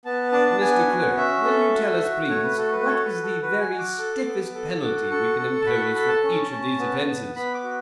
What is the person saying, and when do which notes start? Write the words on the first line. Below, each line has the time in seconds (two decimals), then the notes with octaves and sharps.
Mr. Clerk, will you tell us, please, what is the very stiffest penalty we can impose for each of these offences?
0.05 B3 A5
0.32 D4 A5
0.51 A5
0.60 B3 G#5
0.89 F#4
1.16 C#4 E5
1.45 A4
1.74 F#4
2.01 F#4
2.29 A3 C#5
2.44 B4
2.58 F#4 A4
2.72 B4
2.86 A4 C#5
3.05 B4
3.14 F#4
3.23 A4
3.42 F#4 B4
3.60 G#5
3.70 F#4
3.79 D6
3.98 A4
4.26 B3
4.55 A4
4.83 F#4
5.10 A4 C#6
5.38 A4
5.62 A5
5.66 F#4 B5
5.75 C#6
5.80 B5
5.95 A4 B5
6.08 A5
6.24 C#4
6.51 C#4
6.79 B3
7.07 B3
7.35 B3 B5
7.54 D6
7.63 F#4